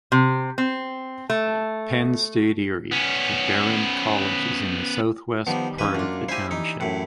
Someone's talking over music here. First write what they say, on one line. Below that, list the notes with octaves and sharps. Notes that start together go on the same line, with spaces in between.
Penn State Erie, The Behrend College is in the southwest part of the township.
C3
C4
A3
B3 C#4
D#3 F3 G3 B3
E3 A#3 C#4 B4
F#2 D4 F4
E4 G4 C5 G#5
E3 D#4
F#2 A2 B4